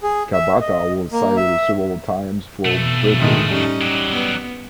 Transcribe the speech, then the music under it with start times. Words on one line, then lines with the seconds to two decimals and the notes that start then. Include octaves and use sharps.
Kabata was cited several times for bravery.
0.03 G#4
0.33 E5
0.61 D#5
1.12 A#3
1.37 E5
2.65 F2 B2 A3
3.19 A2 D#3 G#3
3.51 G3 C#4 D#4
3.81 F#3 G4
4.11 B3